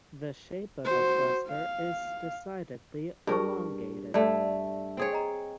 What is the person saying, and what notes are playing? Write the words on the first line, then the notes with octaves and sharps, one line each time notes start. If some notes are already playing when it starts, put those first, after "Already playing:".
The shape of the cluster is decidedly elongated.
F#4 C5
F5
G2 G#4 A#4 A5 C#6
G2 A3 D5 A5
C4 G#4 C#5
D#5 A#5